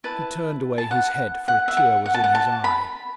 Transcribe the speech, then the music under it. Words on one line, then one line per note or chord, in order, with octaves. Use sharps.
He turned away his head, for a tear was in his eye.
E4 B4 A5
A5
F#5
F#5
E5
F#5
F#5
A5
F#5
A5
B5